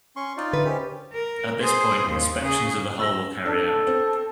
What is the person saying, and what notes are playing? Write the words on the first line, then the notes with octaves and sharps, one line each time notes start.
At this point inspections of the hull were carried out.
C#4 C6 C#6
D#4 F4 D5
D3 B4 E5
C#4 G4 A#4 C5
A#4
G#4 C5
D#2
C#3 G#4
E6 A#6
D4 A4
C4